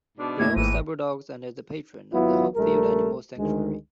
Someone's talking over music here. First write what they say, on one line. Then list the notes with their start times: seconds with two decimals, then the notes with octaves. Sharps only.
He owns several dogs and is a patron of the Hopefield Animal Sanctuary.
0.18 G#2 B2 D4
0.39 D#2 A2 A3 G#6
0.56 G#1 G#2 E3 D#7
2.13 G#1 F#3 B3 E4 F4
2.55 A#1 G3 A3 A#4
3.37 D2 D#3 G#3